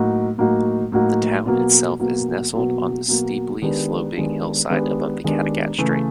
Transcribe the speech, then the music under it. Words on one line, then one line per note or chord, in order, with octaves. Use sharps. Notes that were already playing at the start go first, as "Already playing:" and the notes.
The town itself is nestled on the steeply sloping hillside above the Kattegat Strait.
Already playing: A2 F#3 A#3 D#4 F#4
A2 F#3 A#3 D#4 F#4
A2 F#3 A#3 D#4 F#4
B2 F#3 A#3
B2 F#3 A#3
B2 F#3 A#3
B2 F#3 A#3
D#3 G#3 B3 D4 G4
D#3 G#3 B3 D4 G4
D#3 G#3 B3 D4 G4
D#3 G#3 B3 D4 G4
C#3 E3 A3